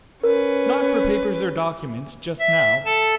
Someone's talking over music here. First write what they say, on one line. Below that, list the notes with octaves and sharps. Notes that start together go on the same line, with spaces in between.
Not for papers or documents--just now.
C#4 A#4 B4
E5
A4 A5